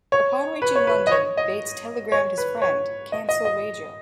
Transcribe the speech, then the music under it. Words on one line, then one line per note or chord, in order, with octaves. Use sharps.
Upon reaching London, Bates telegrammed his friend, Cancel wager.
C#5
B4
C#5
B4
D#5
C#5
D#5
C#5
B4
C#5
D#5
D#5
D#5